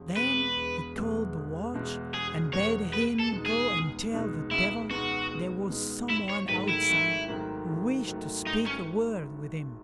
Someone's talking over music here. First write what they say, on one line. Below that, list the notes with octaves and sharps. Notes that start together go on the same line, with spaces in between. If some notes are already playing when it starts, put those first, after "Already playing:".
Then he called the watch, and bade him go and tell the Devil there was some one outside who wished to speak a word with him.
Already playing: E1
E2 B2 G#3 B4
E1
E2 B2 G#3
E1
E2 B2 G#3
E1 G#4
E2 B2 G#3 C#5
C#2 B4
A4
B2 G#3 D#4
G#4
C#2
B2 G#3 D#4
C#2 E4
B2 G#3 D#4 F#4
C#2
B2 G#3 D#4
G#1 E4
C#5
G#2 D#3 F#3 A3 B4
E4
G#1
G#2 D#3 F#3 A3
G#1
G#2 D#3 F#3 A3
G#1 D#4
C#4